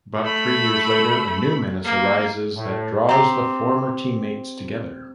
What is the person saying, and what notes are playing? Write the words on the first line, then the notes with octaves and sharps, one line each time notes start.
But three years later, a new menace arises that draws the former teammates together.
A3 B5
A#3
A2
C4 G4 A#5